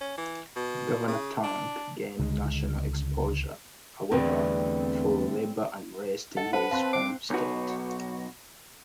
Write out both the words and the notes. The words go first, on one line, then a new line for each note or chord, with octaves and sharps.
Governor Tuck gained national exposure, however, for labor unrest in his home state.
C#4
E3
B2
C#3
D4
C#2 D3 G3 G#3
E2 D3 E3 G3 A3 C4 G#4 G5
A4 D#5 F#5
F#4 A4 B4 C5 F#5 A5
C4 F5 A5 C6 F#6
C5 D6 C7
B1 F#4